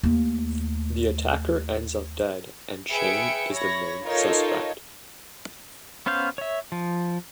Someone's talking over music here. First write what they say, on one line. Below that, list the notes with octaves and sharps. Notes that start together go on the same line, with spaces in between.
The attacker ends up dead and Shane is the main suspect.
D#2 A3
G#4 B4 E5 G5 C#7 D7
C#5 B5 A#6
D#4 F4 A4 A#4 C#5 D#5
B3 C#4 C5 F5 G6
C#5 E5
F3